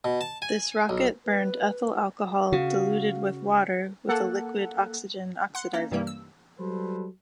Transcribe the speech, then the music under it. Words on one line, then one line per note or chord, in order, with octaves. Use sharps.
This rocket burned ethyl alcohol diluted with water with a liquid oxygen oxidizer.
B2
A5
G#5
B1
B4
C#3 F#4 F5
A#3 A4 F#5
F#5 C6 F#6
A#3 C#4 D#4
G2 C3 E3 G3 A#3
E6
F#3 G3 F#4 A4 B4 C5